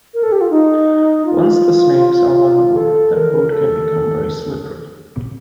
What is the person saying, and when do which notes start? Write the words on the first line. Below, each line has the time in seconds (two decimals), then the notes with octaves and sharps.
Once the snakes are run over, the road can become very slippery.
0.14 A#4
0.23 A4
0.32 G4
0.41 F4
0.50 D#4
1.26 F4
2.76 A4
3.13 A#4
3.52 A4